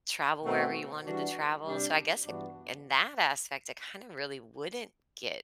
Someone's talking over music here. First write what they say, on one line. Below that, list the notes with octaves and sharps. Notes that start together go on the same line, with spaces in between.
travel wherever you wanted to travel, so, I guess i in that aspect it kinda really wouldn't get
B2 A3 C4 F#4
E3 G3 D4 F#4
C3 G3 D4 G4
G2 E3 B3 D4 F#4